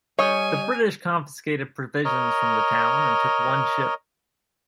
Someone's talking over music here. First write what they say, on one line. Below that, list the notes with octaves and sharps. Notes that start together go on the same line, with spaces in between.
The British confiscated provisions from the town and took one ship.
G3 C#5 D#5 G#5
A#4 C#5 D#5